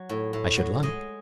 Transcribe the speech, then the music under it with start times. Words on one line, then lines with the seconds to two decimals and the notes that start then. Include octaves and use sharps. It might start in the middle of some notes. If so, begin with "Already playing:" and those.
"I should like."
Already playing: F#3
0.09 A2
0.33 A2
0.58 F#3
0.83 G#3 D#5